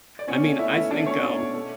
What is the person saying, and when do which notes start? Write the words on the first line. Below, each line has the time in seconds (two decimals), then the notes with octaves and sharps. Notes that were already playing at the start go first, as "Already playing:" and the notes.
I mean, I think, um
0.19 D5
0.27 B2 C#4 C#5
0.43 A3
0.59 B2 E4 E5
0.75 A3 E4 E5
0.91 B2 D4 D5
1.06 A3 C#4 C#5
1.23 B2
1.38 B2
1.54 A3